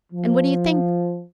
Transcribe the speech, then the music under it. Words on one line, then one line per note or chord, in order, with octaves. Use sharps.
And what do you think?
F3